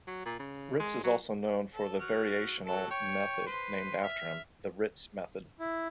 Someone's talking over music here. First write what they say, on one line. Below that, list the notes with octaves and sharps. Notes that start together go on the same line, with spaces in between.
Ritz is also known for the variational method named after him, the Ritz method.
F#3
A#2
C#3
G#3
F#3
A4
F#3 F6
F#3 A4
C#5 G5
B4 C5 C6
E5 F6
E4